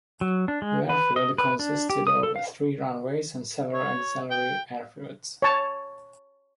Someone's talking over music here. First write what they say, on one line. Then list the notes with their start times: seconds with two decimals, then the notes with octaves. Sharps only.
The airfield consisted of three runways and several auxiliary airfields.
0.21 F#3
0.48 D4
0.62 G#3
0.89 B4
1.16 D#5
1.38 B4
1.59 D4
1.90 G4
2.07 D#6
2.23 A4
2.36 F5
3.74 C#5
4.31 G5
5.42 C#5 A5